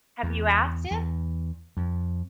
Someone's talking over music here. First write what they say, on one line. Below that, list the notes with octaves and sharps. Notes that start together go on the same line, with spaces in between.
Have you asked him?
E2
E2
F2